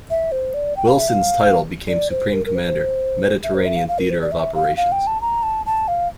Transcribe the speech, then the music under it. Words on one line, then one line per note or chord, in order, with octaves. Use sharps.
Wilson's title became Supreme Commander, Mediterranean Theater of Operations.
E5
C5
D5
G5
F5
E5
F5
D5
C5
A#4
A#4
C5
E5
C5
E5
F5
F5
A#4
C5
D5
E5
F5
F5
G5
A5
A#5
A5
A5
F5